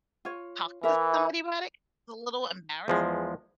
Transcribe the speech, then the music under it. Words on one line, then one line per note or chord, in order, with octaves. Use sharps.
talk to somebody about it. A little embarrassed.
F4 C#5
E3 A#4 E5
E2 F3 G#3